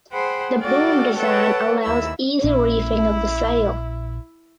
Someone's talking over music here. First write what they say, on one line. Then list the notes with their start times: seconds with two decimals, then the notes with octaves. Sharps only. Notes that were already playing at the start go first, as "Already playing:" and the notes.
The boom design allows easy reefing of the sail.
0.12 G#4 C5 F#5 G5 B5
0.60 F#4 A4 D5 F5 G5
1.15 A4 B4 C#5 F#5 G5 A5
1.83 D#2 E4 E6
2.44 A#1 A#2 C#4 E4